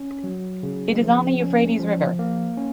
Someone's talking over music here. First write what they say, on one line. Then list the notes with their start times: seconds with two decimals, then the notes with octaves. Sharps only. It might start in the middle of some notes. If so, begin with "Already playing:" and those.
It is on the Euphrates River.
Already playing: C#4
0.24 F#3
0.63 C#3
1.01 F3
1.40 C#4
1.79 F3
2.19 A#3
2.57 C#4